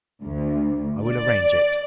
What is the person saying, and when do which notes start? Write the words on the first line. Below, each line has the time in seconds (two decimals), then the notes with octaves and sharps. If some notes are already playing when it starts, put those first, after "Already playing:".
'I will arrange it.
0.22 D2
1.06 D5